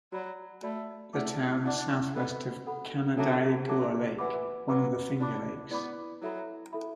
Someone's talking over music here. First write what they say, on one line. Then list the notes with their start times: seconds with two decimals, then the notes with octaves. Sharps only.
The town is southwest of Canandaigua Lake, one of the Finger Lakes.
0.12 F#3 F#4 D5 B5
0.63 A3 F#4 D5 B5
1.13 A3 E4 D5 F#5 A5 D6
1.64 D4 E4 D5 F#5 A5 D6
2.15 B3 A4 F#5 B5
2.67 A4 F#5 B5
3.17 F#3 D4 A4 E5 A5 D6
3.67 F#3 D4 A4 E5 A5 D6
4.18 E3 B4 F#5 B5 D6
4.69 F#3 B4 F#5 B5 D6
5.19 D4 E4 D5 B5 D6
5.70 B3 E4 D5 B5 D6
6.22 F#3 E4 A4 E5 B5
6.73 E4 A4 E5 B5